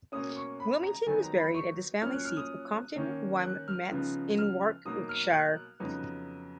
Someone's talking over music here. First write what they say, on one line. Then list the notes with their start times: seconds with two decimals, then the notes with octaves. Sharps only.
Wilmington was buried at his family seat of Compton Wynyates in Warwickshire.
0.12 B2 A#3 C#4 D#6
0.37 C#6
0.60 B5
0.83 A#5
1.06 D#3 F#3 B3 D#4 G#5
1.22 A#5
1.38 B5
1.54 C#6
2.01 A#2 F#3 C#4 F6
2.13 F#6
2.25 F6
2.37 D#6
2.96 D#3 A#3 C#4
3.43 F#6
3.68 F6
3.91 C#3 F3 B3 D#4
4.39 F6
4.85 B2 F#3 A#3 D#4 D#6
5.09 F6
5.33 F#6
5.80 F2 C#3 F#3 B3 D#4